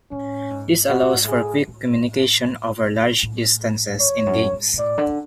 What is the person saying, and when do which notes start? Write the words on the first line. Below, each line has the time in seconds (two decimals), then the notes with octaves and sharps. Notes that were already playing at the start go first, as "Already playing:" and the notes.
This allows for quick communication over large distances in games.
0.11 A2 C#4
0.50 G#2
0.89 B2 F#4
1.02 A2
1.13 G#2
1.24 A2 G#4
1.68 A2
3.23 A2
4.00 E2 C#5
4.26 F#2
4.52 G#2
4.73 B2
4.78 A2 D5
4.98 D3